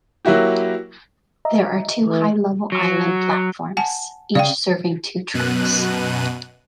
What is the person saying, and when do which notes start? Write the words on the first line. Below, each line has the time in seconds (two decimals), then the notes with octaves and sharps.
There are two high-level island platforms, each serving two tracks.
0.25 F#3 A#3 E4 F#4 G4
1.45 D#5 E5 A#5
2.06 E3 A3
2.72 F#3
3.77 F#5 G#5 A5
4.35 C#3 D5 F5 G5
5.34 F#2 B2 F#6 D#7